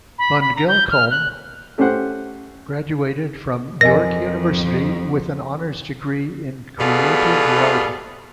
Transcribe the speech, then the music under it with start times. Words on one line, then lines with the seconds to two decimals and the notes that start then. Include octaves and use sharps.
Van Belkom graduated from York University with an honors degree in creative writing.
0.19 B5
0.40 B5
0.56 A#5
0.68 G6
0.91 F6
1.11 F#6
1.78 A3 C#4 G4 C5 F#5
3.81 F2 A#4 D#5 G#5 A#6
6.80 E2 B2 G3 F4 G#4 A4